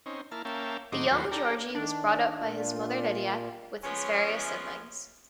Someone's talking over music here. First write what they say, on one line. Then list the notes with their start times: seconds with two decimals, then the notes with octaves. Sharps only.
The young Georgi was brought up by his mother Lydia, with his various siblings.
0.06 C4 C#4 D#4
0.32 A#3 E4 A5 F6
0.45 A#3 C#4 E5 F5 G5 A5
0.92 A2 D#3 F#3 C5 D#5 D6
1.11 D#2 F#3 A3 F#4 B4 C6
1.32 D4 G4 A4 A#5
1.74 D#3 D4
2.38 A#2 F4
3.83 F3 G#3 B3 C#4